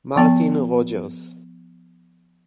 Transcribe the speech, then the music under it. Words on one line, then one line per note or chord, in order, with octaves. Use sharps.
Martin Rogers.
F3 B3 A5